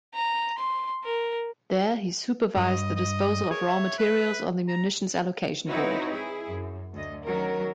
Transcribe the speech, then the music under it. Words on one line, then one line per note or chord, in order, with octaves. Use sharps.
There he supervised the disposal of raw materials on the Munitions Allocation Board.
A#5
C6
A#4
G2 D#5
D#5
G#4 A#4 C#5
E5
B4
A#5
C4 D#4 E4 F#4 B4 C#5
E4 G#4
F#2
D2 D#5
D#3 F#3 C#4 A#4